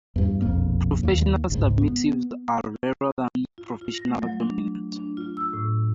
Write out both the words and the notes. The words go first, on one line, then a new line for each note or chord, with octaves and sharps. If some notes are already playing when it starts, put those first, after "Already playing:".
Professional submissives are rarer than professional dominants.
E2 G2
E1 A#1 F2 A#3
D#2 A#3
G1 C#2 G#2
B3
F4
F4
A#6
A3
F#3
D4
D4
F4
E6
A2